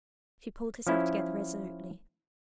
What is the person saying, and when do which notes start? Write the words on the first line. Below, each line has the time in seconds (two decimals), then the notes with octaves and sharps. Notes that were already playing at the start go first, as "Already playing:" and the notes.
She pulled herself together resolutely.
0.87 F3 C#4 E4